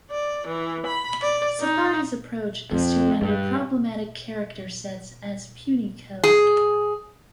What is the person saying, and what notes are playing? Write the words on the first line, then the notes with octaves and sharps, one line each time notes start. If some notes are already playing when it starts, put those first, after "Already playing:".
Safari's approach is to render problematic character sets as Punycode.
D5
E3
B5
D5
D#4
F2
G2
G#4